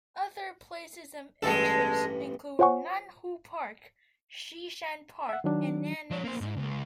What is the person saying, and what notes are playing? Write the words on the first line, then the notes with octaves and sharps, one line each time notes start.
Other places of interest include Nanhu Park, Shishan Park and Nanning Zoo.
A1 G2 G#3 A4
F4 C5 C#5 F#5 G#5 C#6
E5 F#5
D#3 F#3 D4
F3 C#5
A#3 C5
G#2
C#2